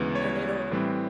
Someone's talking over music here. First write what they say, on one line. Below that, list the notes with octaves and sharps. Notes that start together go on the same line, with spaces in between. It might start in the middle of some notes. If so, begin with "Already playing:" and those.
and it'll
Already playing: D2 C#3 E3 G#3 B3
C#5
A2 E3 G3 C4